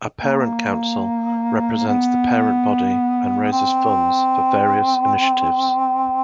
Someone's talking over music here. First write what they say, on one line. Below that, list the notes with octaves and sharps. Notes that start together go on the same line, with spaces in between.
A parent council represents the parent body and raises funds for various initiatives.
A#3
B3
C4